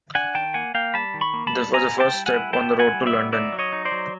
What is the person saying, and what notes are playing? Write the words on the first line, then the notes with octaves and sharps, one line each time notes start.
This was the first step on the road to London.
D4 F#5 G#5
D#3 G5 A5
A#3 F#5 G#5
A#3 F5 G5
G3 A5 B5
D#3
B5 C#6
A#3
A5 B5
G3
B3 G#5 A#5
E4
G5 A5
G3
F#5 G#5
E4
B3 G5 A5
E4
F#5 G#5
G3
D5 E5
B3
D#4 D5 E5
F#3
C#5 D#5
D#4
C5 D5
F#3